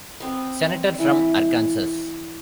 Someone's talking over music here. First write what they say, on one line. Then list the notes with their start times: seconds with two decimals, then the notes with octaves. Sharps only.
Senator from Arkansas.
0.20 B3 C4
0.99 E3 E4